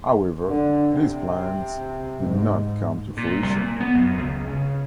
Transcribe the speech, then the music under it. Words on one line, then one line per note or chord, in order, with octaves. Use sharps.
However, these plans did not come to fruition.
D3
C3
G#2
A#2
C2
A#2
B3
F#2
C#2
C#3